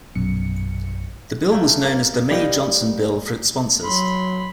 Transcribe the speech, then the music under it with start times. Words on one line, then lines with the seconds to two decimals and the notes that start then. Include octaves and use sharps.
The bill was known as the May-Johnson Bill for its sponsors.
0.15 A#1 F#2 B2 C#7
1.52 A3 A#3
1.83 A#3
2.30 G3 A#3 D#4
3.83 F#3 B5 C6